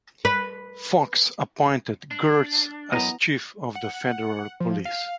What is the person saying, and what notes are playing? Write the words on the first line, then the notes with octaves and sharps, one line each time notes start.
Fox appointed Gertz as chief of the Federal Police.
B4
D4
F#2 B3 E4 D#5 A#5
F#5
F3
F5